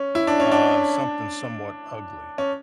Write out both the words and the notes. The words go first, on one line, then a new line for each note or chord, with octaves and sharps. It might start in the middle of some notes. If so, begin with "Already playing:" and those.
uh, something somewhat ugly.
Already playing: C#4
E4
D4
C#4
D4
C#4